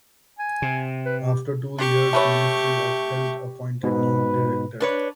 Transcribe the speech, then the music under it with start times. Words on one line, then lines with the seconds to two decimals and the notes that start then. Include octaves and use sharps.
After two years ministry of health appointed new director.
0.39 G#5
0.62 C3
1.06 B4
1.25 G4
1.79 D4 G4 C#6
2.13 A3 B4 C#5
3.83 G#2 B2 B4
4.80 D4 B4 C#5